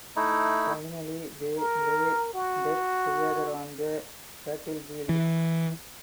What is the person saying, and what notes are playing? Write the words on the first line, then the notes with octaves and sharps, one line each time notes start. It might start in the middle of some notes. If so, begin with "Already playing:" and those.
Finally they lay dead together on the battlefield.
A3 D#4 E4
A#4
F#4
E3